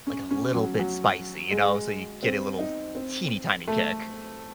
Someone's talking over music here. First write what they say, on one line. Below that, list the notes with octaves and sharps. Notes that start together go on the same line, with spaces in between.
like a little bit spicy, you know, so you get a little teeny tiny kick.
C#4
C#4
F#3
F#3
G#3
C4
D#4
C4
A3